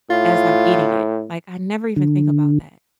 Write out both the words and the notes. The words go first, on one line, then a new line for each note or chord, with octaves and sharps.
as I'm eating it, like I never even think about that.
A2 F4
D3